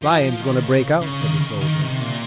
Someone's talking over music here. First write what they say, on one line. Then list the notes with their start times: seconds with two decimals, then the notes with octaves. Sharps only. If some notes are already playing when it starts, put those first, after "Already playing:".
"Flying's going to break out," said the soldier.
0.02 F3
0.22 F3
0.42 D#3
0.62 C#3
1.02 C#3
1.21 D#3
1.41 C#3
1.61 D#3
1.81 C3
2.01 A#2